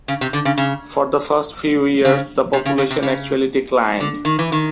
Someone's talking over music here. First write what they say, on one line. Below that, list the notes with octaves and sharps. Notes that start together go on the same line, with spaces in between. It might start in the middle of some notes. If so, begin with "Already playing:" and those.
For the first few years the population actually declined.
C#3
C3
D3
C#3
C#3
C#3
C3
C#3
C#3
C3
C#3
D3
D#3
E3
D#3